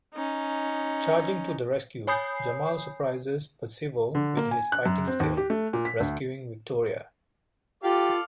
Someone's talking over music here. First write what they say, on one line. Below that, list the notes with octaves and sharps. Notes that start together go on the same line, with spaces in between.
Charging to the rescue, Jamal surprises Percival with his fighting skills, rescuing Victoria.
C#4 D#4
C#5 G#5 B5 D#6 G6 C7
D3
A#3
G#5
F#6
F#2
C4
D#2
G4
A3
A#2
B6
D2
F4 G4 A4 D5 F5